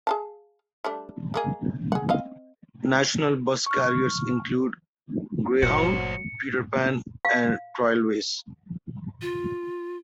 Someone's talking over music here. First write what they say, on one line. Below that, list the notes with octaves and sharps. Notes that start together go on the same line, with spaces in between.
National bus carries include Greyhound, Peter Pan and Trailways.
G#4 F5 A5
G3 A3 D4
G#3 A#3 G#4
G#4 F#5
C4 D#5 F5
C#6 F6
G1 A#2 F#3 F#4 C5 C#7
F5
F4